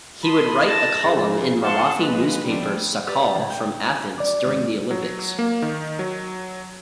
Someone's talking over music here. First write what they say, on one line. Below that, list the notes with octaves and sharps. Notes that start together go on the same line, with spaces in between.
He would write a column in Marathi newspaper Sakal from Athens during the olympics.
A5 B5 C6 D#6
A5 A6 A#6
C#3 F3
F5 F#5 A5 C6 C#6
F3 G#3 A#3 B4
F3 G3 A3 B3 C4 D4
G4 B4 D5
A2 C#3 F3
G5
D5 D6
G#2 D#3
F#3
A#3
D#3
F#3